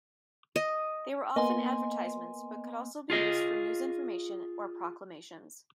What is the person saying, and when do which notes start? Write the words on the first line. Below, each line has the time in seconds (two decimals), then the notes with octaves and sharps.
They were often advertisements, but could also be used for news information or proclamations.
0.56 D#5
1.36 A#3 B3 D#5 G#5 C6
3.10 F4 G#4 D#5